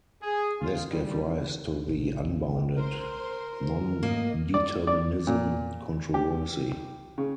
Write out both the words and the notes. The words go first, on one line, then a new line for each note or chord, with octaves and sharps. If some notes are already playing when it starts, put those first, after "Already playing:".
This gave rise to the Unbounded nondeterminism controversy.
G#4
F4
G3
A#1 B2
A#4 C5 C6
G#2 A3 A#3 D#5
D5
D5
A#2
G4
C#3